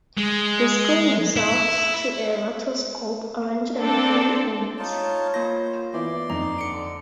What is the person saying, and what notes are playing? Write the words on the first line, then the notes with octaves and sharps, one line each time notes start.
The screen dissolves to a rotoscope orange and the film ends.
G#3
E4
A#3 C4 D4 A4
D#4 F4 C#5 A5
A#3 F4 C5 A#6
E3 B3 E4 D5 C6
F2 D#4 A#5
D3 C#7 D7